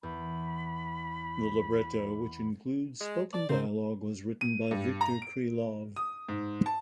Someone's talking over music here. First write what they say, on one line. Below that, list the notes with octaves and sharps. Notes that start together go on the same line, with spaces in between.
The libretto, which includes spoken dialogue, was written by Viktor Krylov.
E2 B5
G#3
D5
C#3 C4 A#4 C5
D#7
G2
A#5
D7
D#6
G#2
A5